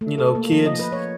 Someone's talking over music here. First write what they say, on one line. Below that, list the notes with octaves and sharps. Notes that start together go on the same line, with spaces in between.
you know, kids
A3
A4
A#3
F3
D#5
B4
C#5